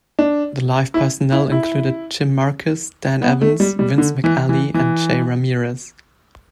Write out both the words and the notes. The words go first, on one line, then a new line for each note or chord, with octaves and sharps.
The live personnel included Jim Marcus, Dan Evans, Vince McAley, and Jay Ramirez.
D4
E4
E4
E4
B3
A3
G3
G3
D3
E3
E3
E3